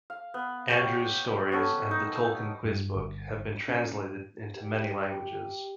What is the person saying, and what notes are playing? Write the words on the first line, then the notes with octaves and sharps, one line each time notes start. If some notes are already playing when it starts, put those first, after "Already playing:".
Andrew's stories and "The Tolkien Quiz Book" have been translated into many languages.
F5
B3
C#4 G4 G5
B3 C#4 A4
D#4
G2
G1
C#4
G4